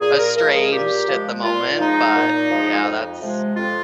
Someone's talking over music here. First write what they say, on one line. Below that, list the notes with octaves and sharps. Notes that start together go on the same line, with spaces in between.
estranged at the moment, but yeah, that's
A#2 G#4
A#4
F3 G#3 A#4
G#4
A#2 G4
F3 G#3
A#2 F4
F3 G#3 D#4
A#2
F3 G#3
F2
C3 F3 G#3
F2 F4